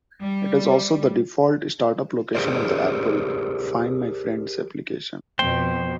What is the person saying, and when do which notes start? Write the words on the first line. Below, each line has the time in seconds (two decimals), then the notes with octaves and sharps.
It is also the default startup location of the Apple "Find my Friends" application.
0.23 G3
2.35 G4 G#4 A#4 C5 D5
5.39 F2 B2 C5 G5